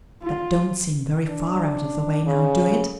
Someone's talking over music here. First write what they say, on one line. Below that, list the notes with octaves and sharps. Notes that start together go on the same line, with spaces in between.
That don't seem very far out of the way now, do it?'
F4
D4
C#3